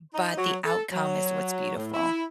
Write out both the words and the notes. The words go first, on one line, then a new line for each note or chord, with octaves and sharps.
but the outcome is what's beautiful.
D#4
F#3
A4
F#3
A2
E4